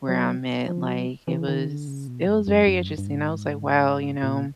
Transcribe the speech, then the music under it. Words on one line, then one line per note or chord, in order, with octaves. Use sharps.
where I'm at, like, it was it was very interesting. I was like, "Wow, you know"
F#3
F3
F#3
E3
D#3
D3
C#3
B2
F#2
F#2
F#2
G2
G2
G#2
A2
A#2